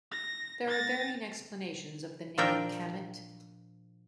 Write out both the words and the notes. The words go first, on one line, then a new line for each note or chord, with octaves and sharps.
There are varying explanations of the name Kamet.
A#6
A6 A#6
A#2 F3 D4 A#4 E5 G5